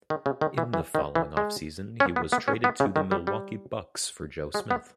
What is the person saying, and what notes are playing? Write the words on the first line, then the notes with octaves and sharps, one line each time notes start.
In the following off-season, he was traded to the Milwaukee Bucks for Joe Smith.
D#3
C#3
D#3
E3
E3
D#3
E3
G#3
C#4
B3
B3
C#4
B3
C#3
D#3
G3
G3
G#3
B3